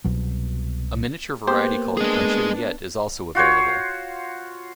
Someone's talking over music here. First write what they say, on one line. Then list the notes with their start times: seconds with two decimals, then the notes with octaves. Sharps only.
A miniature variety called "conchigliette" is also available.
0.04 C2 B2 F#3
1.48 A#3 B3 G4 C5
1.97 B3 D4 G#4 D#5
3.35 F4 F#4 C5 C#5